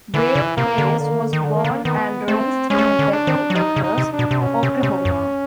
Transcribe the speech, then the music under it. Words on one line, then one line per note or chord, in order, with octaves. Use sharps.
Wade Hayes was born and raised in Bethel Acres, Oklahoma.
D3 E3
C#3
C3 A#3
D3
D#3
D3 A#3
D#3
D3
D#3
D3
D#3 A#3
D3
D#3 B3
A3 C4
G#3 C#4
A3
G#3
D3
D4
D#3
F#3
F3 D#4
C#3
D#4
C3
D4
B2
C3
B2 C#4
C3
C3
F#2